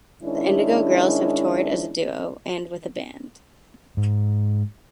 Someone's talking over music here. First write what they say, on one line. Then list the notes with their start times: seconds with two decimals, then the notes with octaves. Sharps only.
The Indigo Girls have toured as a duo and with a band.
0.23 D#3 G#3 C#4 D4 E4
3.97 G#2